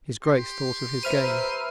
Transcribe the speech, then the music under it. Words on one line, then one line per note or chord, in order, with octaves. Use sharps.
His Grace thought of his game.
G4 C6
B4 C5 E5 A#5 B5 F6 D#7